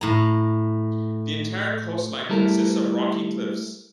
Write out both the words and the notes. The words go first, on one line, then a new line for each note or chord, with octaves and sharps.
The entire coastline consists of rocky cliffs.
A2 A#5
G3 A3 E4 A4 A#4